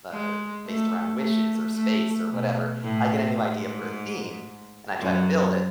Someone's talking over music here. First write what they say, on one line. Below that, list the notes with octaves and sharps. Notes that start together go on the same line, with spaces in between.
uh, based around wishes or space or whatever." I get a new idea for a theme, and I try to build it
G#3
A3
A3
A3
B2
A2
G#2
F#2